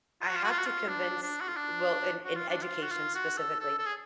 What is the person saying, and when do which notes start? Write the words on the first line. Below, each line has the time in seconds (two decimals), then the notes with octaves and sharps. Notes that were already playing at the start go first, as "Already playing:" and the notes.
I have to convince well, in in education specifically,
0.21 F4
0.28 F#4
0.37 F4
0.44 F#4
0.51 F4
0.59 F#4
0.67 F4
0.88 D4
1.23 D4
1.41 F#4
1.49 F4
1.56 D4
2.25 F#4
2.37 F4
2.49 D4
2.62 F4
2.83 F#4
2.91 F4
3.15 F#4
3.37 A4
3.60 A4
3.79 A4
3.86 G#4